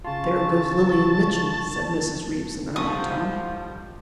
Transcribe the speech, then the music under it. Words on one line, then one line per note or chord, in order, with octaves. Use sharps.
"There goes Lilian Mitchell," said Mrs. Reeves in an undertone.
C#3 F4 A5 C#6
D3 D#3 F3 G3 D#4 G4 A5 D#6